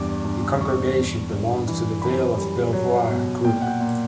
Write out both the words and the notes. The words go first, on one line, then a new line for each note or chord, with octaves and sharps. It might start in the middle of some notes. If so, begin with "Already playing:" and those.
The congregation belongs to the Vale of Belvoir group.
Already playing: E2 G2 D6
G2
E2 C#6
E2
G2
E3
F#2 B5
G3
F#3
B2
A#2 G5
F#5
G5
A#2